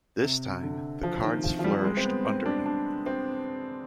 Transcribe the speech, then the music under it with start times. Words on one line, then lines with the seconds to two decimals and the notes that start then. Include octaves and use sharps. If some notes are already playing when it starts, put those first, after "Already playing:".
This time, the Cards flourished under him.
0.22 C3
0.63 D3
1.03 F3
1.24 D#3
1.44 F3
1.59 F3
1.64 G3
1.85 G#3
1.97 C4
2.05 B3
2.25 C4
2.46 D4
2.66 D4
3.06 C4